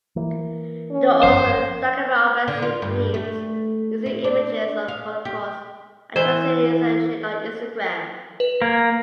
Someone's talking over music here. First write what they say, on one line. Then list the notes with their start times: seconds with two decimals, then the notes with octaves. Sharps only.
They also document offensive memes using images of Holocaust atrocities and shared on Instagram.
0.16 E3 A#3
0.91 C#4
1.23 G1 F#2 F3 C5
2.48 D3
2.62 F4
2.82 G2
3.14 A3
4.06 E4
4.24 D4
4.88 F5
5.25 G4
6.16 E3 C5
8.40 B4
8.62 A#3 G#6 D7